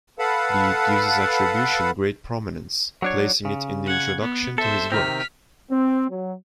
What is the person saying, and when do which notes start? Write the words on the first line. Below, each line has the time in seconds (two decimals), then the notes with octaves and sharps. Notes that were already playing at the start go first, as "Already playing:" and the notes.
Bede gives this attribution great prominence, placing it in the introduction to his work.
0.19 A4 B4 F5 F#5 A5 B5
3.02 F#3 D4 C#5
3.45 C#3
3.86 F#5 G#6
4.21 B3
4.58 A4 C5 E5
4.92 C3 D#3 C4 F6 B6
5.71 C4
6.10 F#3